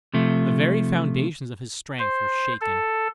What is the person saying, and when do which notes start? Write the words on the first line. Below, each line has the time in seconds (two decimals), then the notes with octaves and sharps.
The very foundations of his strength were shaken.
0.14 C3 F3 A3
1.99 C5
2.61 A4